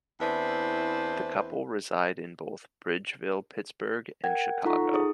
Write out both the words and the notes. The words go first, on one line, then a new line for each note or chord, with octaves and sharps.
The couple reside in both Bridgeville, Pittsburgh and Chicago.
E2 C4 D4 E4 B4 C5
A#4 F#5 G5 G#6
D#4 F4 A4 F#5 A#5 C#6
D#4 G#4 D#6